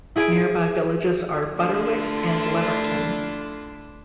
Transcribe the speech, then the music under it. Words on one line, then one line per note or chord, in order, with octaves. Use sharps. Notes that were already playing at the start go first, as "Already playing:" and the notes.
Nearby villages are Butterwick and Leverton.
E4 G#4 G#5 D7
D3 A3 D4 E4 F4